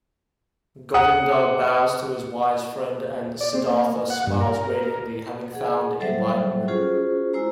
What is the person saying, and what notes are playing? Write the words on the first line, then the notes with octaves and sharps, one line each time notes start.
Govinda bows to his wise friend and Siddhartha smiles radiantly, having found enlightenment.
F#5 D#6
D5
C4
A#3
F#5
G2
A#4
G#4 F#5
F#3 G3 A4 C5 E5
C#4 F4 F#4 G#4 C5
G#3 E4 C5 A#5